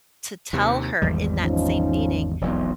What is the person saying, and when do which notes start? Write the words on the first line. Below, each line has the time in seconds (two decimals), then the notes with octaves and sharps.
to tell her in that same meeting,
0.53 D#2 C3
1.02 G#1 E2 G3
1.41 F3 C#4 D#4
2.41 E1 B1 F2